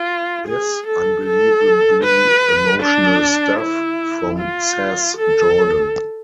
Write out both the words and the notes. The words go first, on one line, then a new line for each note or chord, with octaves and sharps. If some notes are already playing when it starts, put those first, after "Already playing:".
This unbelievably emotional stuff, from Sass Jordan.
Already playing: F4
G#4
A4
A4
B4
D4
E4
F4
A4